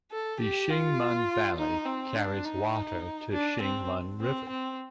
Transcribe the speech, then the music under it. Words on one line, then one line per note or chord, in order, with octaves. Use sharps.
The Shing Mun Valley carries water to Shing Mun River.
A4
G4
F4
D#4
C4
D4
D#4
D4
C4
C4
C4